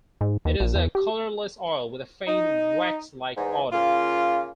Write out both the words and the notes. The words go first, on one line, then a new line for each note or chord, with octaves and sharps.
It is a colorless oil with a faint wax-like odor.
G#2
D#2
A#1
E2
G4
D#4
E2 G#2
C#3 A#3 F4